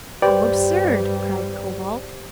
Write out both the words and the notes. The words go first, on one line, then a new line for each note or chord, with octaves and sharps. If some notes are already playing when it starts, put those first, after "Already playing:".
"How absurd!" cried Cobalt.
G2 G3 G4 B4 C5 D5 G5